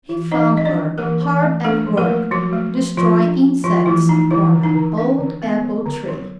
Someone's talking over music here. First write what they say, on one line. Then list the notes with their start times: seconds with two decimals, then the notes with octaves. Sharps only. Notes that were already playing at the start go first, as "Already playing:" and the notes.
He found her hard at work destroying insects on an old apple tree.
0.09 E3
0.32 E3 D#4 D#5
0.54 C4 D#5
0.65 D4 D5
0.76 E3
0.98 E3 A#3 A#4
1.21 E3
1.42 A3
1.64 A3 D4 A4
1.87 F3
1.97 A#3 A#4
2.09 A3
2.31 F3 F#3 F#4
2.53 A3
2.75 F3
2.97 F3 F4
3.19 D4
3.41 D4
3.64 F3 F4
3.86 E3 A3 E4
4.08 A3 D#4
4.31 D3 E3 E4
4.53 D3
4.63 D#4
4.75 D3
4.98 D4
5.19 D3
5.42 B3
5.64 F#3
5.86 D3
6.08 F#3